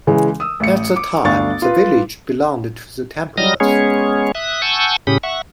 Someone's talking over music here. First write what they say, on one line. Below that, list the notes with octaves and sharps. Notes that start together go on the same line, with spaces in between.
At the time, the village belonged to the Templars.
C#3 E3 G#3
D#6 E6
A1 C#7
D6
G1 D2 D4 F5 C#6 A6
F4 B4
F#3 G3 D#5 D#6 F6 A#6
G#3 B3 C#4 G#4 C#5
E5 D#6 F#6
F#5 G#5 A5 C#6 E6 G6
A2 C#3 C#4 G4 B5 D#6
E5 F#5 C#6